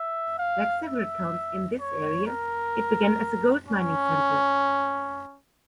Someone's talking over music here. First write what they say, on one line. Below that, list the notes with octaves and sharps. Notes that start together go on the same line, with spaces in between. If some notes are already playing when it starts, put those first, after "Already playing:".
Like several towns in this area, it began as a gold mining centre.
Already playing: E5
F5
E5
C#5
A#4
C#4